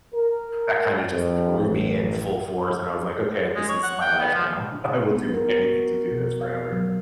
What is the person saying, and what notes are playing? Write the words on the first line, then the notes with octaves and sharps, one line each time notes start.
that kinda just threw me in full force, and I was like, "Okay, this is my life now. I will do anything to do this forever."
A#4
F2
A1
G#3
C#5
F#5
G5
B3
F3
B3
A#4
F#4
B2
F5
F#3